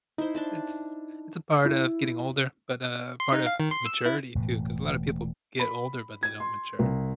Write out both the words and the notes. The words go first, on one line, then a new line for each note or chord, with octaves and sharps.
it's it's a part of getting older, but a part of maturity, too 'cause a lotta people get older but they don't mature.
D#4 E4 C5
D4 A5 C6
E4
C6
D#4
F5
D#3
C6
E6
E4
E1 A2 E3
B5
G#6
C6
C2